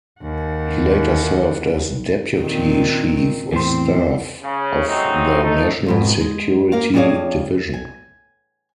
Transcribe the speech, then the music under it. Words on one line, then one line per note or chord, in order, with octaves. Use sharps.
He later served as deputy chief of staff of the National Security Division.
D#2 F#5
A#2 D#3 C4
E2 A2 C4 C5
C#3
F#3 G#3 A3 C4 D#4
A3 D#4
F2 G#2 B2
G#3 G#4
A#3 A#4 F5
F2 C#4 D4 G#4 C#5 F5
G#5